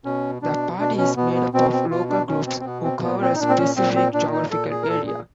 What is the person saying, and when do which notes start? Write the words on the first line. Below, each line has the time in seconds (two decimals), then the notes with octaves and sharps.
The party is made up of 'local groups', who cover a specific geographical area.
0.05 B2 C#4
0.42 B2 D4
0.79 B2 D4
0.98 C#4
1.16 B2 B3
1.35 B3
1.53 B2 C4
1.72 C4
1.91 B2 F4
2.09 D4
2.28 B2 C#4
2.47 C4
2.60 C4
2.65 B2 B3
2.84 C4
3.02 A#2 B3
3.21 C4
3.35 D#4
3.39 A#2 D4
3.49 C4
3.58 C#4
3.76 A#2 C4
3.95 C4
4.13 A#2 D4
4.33 D#4
4.51 A#2 A4
4.70 G#4
4.83 A#4
4.88 A#2 A4
5.07 G#4